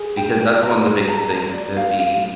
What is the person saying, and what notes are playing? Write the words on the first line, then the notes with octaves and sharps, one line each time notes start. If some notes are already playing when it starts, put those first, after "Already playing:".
Because that's one of the biggest things to be
Already playing: G#4
G5
G5
A#5
G#4
A#5
A#5
D5
F5
F5